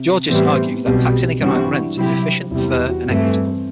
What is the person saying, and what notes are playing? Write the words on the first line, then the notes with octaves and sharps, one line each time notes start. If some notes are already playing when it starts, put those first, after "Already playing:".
Georgists argue that taxing economic rent is efficient, fair, and equitable.
Already playing: C3
A2 E3 G3 B3 C4
B1 B2 G3 C4
G2 E3 G3 C4 D4 F#4
E4
C3 F#3 C4 E4 F#4 G4
E2 C3 G3 E4
G4
F#4
G2 E3 A3 C4